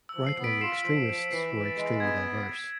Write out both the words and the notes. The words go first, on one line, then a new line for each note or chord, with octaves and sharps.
Right-wing extremists were extremely diverse.
E6
F3
C7
B3
B6 D7
F4 C7 E7
F3
F3
E3 C7
E3
A6
G#3
B3 G#6